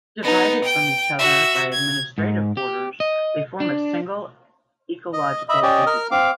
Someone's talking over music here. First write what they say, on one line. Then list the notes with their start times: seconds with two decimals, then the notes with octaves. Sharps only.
Divided from each other by administrative borders, they form a single ecological entity.
0.23 B3 D#4
0.64 G5
1.19 F#4 E5
1.73 G#6
2.18 G#2
2.57 G4
3.00 D#5
3.60 D4
5.13 D#5
5.49 D#5 E5 B5
5.63 C#4 G4 D5
5.87 A#4 F6
6.11 C4 F5 D6